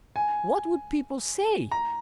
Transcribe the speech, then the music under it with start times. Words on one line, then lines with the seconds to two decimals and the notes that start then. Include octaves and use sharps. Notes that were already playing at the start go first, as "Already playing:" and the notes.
What would people say?
0.16 G#5
1.71 A#5